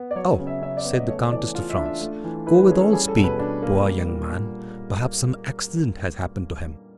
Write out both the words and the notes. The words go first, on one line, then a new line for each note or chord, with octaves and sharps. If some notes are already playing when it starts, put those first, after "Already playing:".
"Oh," said the countess to Franz, "go with all speed--poor young man! Perhaps some accident has happened to him."
Already playing: B3
D5
F#3 C#5
C#3
E5
C#3 E5
D5
B3
D#5
A3 C#5
E3 D5
F4 F5
E5
D4
E5
A3
E3
E4 B4
B4
C#4 G#4
A4
G3 G#4
A4
B2
B4
D4
A#3
G3
A#2